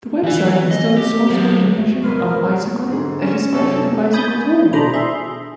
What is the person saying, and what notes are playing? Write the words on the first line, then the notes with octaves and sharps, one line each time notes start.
His website is still a source of information on bicycling and especially bicycle touring.
E3 G#5
D#5
G4
F#3 C5
G2 F#3 A3
A#1 G2 C3 G#3 A#4 B4 F6
G#2 D3 G#4
C#4 E7
F#2 C3 A4 C#5
G#5 B5 D#6 G6 A6
B2 D3 D4 C5 A#5 B5
G#4 E5 C6